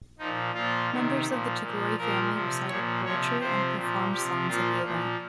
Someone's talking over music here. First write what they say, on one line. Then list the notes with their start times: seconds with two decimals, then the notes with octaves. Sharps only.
Members of the Tagore family recited poetry and performed songs at the event.
0.19 A#2 F3 D#4
0.54 A#2 F3 F4
0.90 C3 D#3
1.26 A#2 F3
1.61 A#2 F3
1.98 A#2 F3 A#4
2.33 C3 F3
2.68 A#2 F3 C#5
3.05 C3 F3 C#5
3.40 C3 F3 C5
3.76 A#2 F3
4.12 C3 F3 G4
4.47 A#2 F3 F4
4.83 A#2 F3